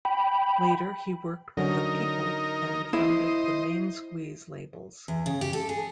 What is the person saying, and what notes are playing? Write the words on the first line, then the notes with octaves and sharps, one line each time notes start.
Later, he worked with the "People" and founded the "Main Squeeze" labels.
G5 B5
D3 F#3 C#4 D#4 A#4
E4 C5 D#5
E2
C#3
G4
A4
G#4